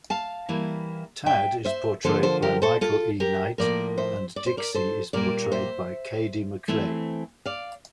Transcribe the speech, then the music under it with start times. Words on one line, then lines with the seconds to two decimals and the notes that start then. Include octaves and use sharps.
Tad is portrayed by Michael E. Knight, and Dixie is portrayed by Cady McClain.
0.10 F5 A5
0.49 E3 G3 A#3 E4
1.26 E5 G5
1.65 C5 E5
2.04 D3 F3 A#3 F4 A4 C5
2.23 A4 C5
2.42 G4 A#4
2.62 A4 C5
2.81 F4 A4
3.20 G4 A#4
3.58 A2 F3 A#3 A#4 D5
3.98 C5 E5
4.36 D5
4.46 C5
4.57 A#4 D5
4.74 A4 C5
5.13 A#2 G3 A#3 A#4 D5
5.52 C5 E5
6.68 E3 A3 C4 E4
7.46 D5 F5